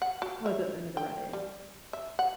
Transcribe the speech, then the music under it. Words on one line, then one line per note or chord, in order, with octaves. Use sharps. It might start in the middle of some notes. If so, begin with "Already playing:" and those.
We the, I never read it, yeah.
F#5
F#4
E5
G5
G3
E5
F#5